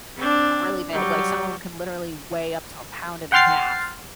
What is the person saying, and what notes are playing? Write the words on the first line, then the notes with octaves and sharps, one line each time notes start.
really big, like, some of 'em can literally weigh up to a pound and a half.
C4 D4
F#3 G3
F#5 G5 C6 F6 A6 C7